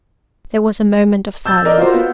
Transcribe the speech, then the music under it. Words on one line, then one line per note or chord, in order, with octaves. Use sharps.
There was a moment of silence.
E6 G6 A6
A#4 D5 D#5
F4 F#4 A#4 C5
B3